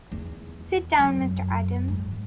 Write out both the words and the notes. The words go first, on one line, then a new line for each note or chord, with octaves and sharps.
Sit down, Mr. Adams.
E2
F#2
G#2